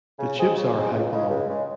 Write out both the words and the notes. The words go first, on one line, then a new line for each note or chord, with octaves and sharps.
The tubes are Hypalon.
C#3
F3 C4 D#4 G#4
C#3
F3 C4 D#4 G#4
C#2
C#3 G#3
C#2
C#3 G#3